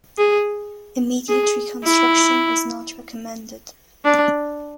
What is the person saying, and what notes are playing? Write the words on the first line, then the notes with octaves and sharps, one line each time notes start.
Immediate reconstruction is not recommended.
G#4
G#4
E4
D4